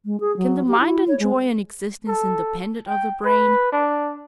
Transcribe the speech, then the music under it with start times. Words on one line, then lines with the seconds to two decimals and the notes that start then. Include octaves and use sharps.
Can the mind enjoy an existence independent of the brain?
0.05 G#3
0.20 G#4
0.37 F#3
0.68 G4
0.80 E4
1.08 C#5
1.20 G#3
2.08 A4
2.88 G5
3.25 B4
3.72 D4